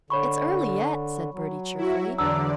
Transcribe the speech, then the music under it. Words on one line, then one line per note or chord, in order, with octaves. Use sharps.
"It's early yet," said Bertie cheerfully.
D3 C#5 B5 C#6
F#3
E4 F#4
E2 D3 D5 A#5 E6